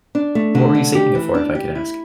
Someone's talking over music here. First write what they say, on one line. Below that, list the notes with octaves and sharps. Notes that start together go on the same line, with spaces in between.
What were you saving it for, if I could ask?
D4
A3
D3
D4
G4
E3
D4
G4
E4